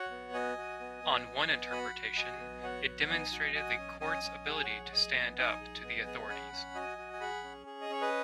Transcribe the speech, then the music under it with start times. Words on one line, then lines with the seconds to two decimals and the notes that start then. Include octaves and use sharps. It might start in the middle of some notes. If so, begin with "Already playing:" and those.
On one interpretation, it demonstrated the courts' ability to stand up to the authorities.
Already playing: F#4 C#5 F#5
0.11 B3
0.34 F#4 D#5 G#5
0.58 F#4
0.80 B3
1.03 B3
1.26 B3
1.49 B3
1.71 F#4 F#5 B5
1.94 F#4
2.17 F#4 D#5 G#5
2.40 B3
2.63 F#4 C#5 F#5
2.86 B3
3.09 D#4 D#5 G#5
3.32 F#4
3.54 F#4 D#5 G#5
3.78 C#4
4.00 C#4 D#5 G#5
4.23 C#4
4.46 G#4 F#5
4.55 G#5
4.63 C#5 F#5
4.69 G#4
4.85 F#5
4.92 G#4 D#5 G#5
5.15 B3
5.38 D#4 D#5 G#5
5.61 G#4
5.84 B3
6.06 G#4
6.29 C#4 F#5 B5
6.52 C#4
6.75 F#4 D#5 G#5
6.98 F#4
7.13 G#5
7.21 G#4 F#5 B5
7.44 C#4
7.66 G#4
7.82 D#5
7.90 C#4 C#5
8.01 B4 D#5